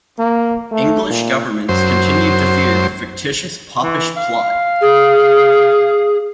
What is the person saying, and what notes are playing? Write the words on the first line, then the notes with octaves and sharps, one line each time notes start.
English governments continued to fear the fictitious Popish Plot.
A#3
A3
A#2
F#2 C5
E3
F5
G#4